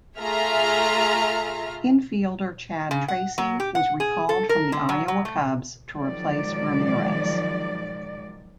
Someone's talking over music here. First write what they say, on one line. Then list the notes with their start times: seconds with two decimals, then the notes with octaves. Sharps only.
Infielder Chad Tracy was recalled from the Iowa Cubs to replace Ramirez.
0.18 A3 F4 G#4 E5 A#5 F6
2.91 C#3
3.08 F#5
3.38 F#3
3.60 G4
3.75 F#5
4.00 G#4
4.29 A4
4.49 A#4
4.72 D3
4.89 F#3
5.08 F#3
5.25 A3
5.96 D#3 F3 F#3 G#3 D5